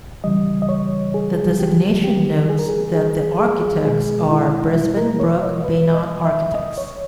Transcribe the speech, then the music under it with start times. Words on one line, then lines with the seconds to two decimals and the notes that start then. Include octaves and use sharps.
The designation notes that the architects are Brisbin Brook Beynon Architects.
0.24 C#3 E3 G3 D#5
0.62 D#5
0.69 C#5
1.14 G#4
1.59 G4
2.04 G4
2.49 G#4
2.59 A#4
2.68 G#4
2.94 G#4
3.39 G#4
3.85 B2 G#3 G#4
4.30 E4
4.75 E4
4.97 A#4
5.20 C#5
5.42 D#5
5.64 B4
5.94 D#5
6.25 E5
6.55 D#5
6.78 C#5